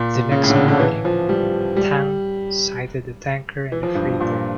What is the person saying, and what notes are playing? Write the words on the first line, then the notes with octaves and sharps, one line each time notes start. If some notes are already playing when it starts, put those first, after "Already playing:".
The next morning, "Tang" sighted a tanker and a freighter.
Already playing: A#2
C#3
A2
D3
C#3
D3
E3
F3
G3
G3
E3
F3
G2
A#2